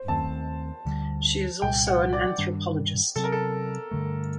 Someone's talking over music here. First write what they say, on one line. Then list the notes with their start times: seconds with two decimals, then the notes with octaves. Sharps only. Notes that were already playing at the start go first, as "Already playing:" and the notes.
She is also an anthropologist.
Already playing: C5
0.08 D#2 D#3 A3 C4 A5
0.85 D2 D3 G3
1.62 C2 A#2 G3 G5
1.87 F#5
2.13 D5
2.38 G2 D#3 G3 D4
3.16 C3 F#3 C4 A4
3.24 A#4
3.32 A4
3.91 G2 D3 A3